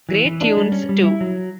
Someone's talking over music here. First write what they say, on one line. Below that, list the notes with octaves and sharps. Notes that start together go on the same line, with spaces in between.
Great tunes too.
E3
E3
D4
G3
C#4
G3
E4
F#3